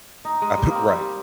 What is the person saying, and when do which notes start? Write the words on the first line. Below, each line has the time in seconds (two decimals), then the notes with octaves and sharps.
I've Right,
0.25 D#4
0.42 G#3
0.58 G3
0.70 A#3
0.75 C4
0.92 G3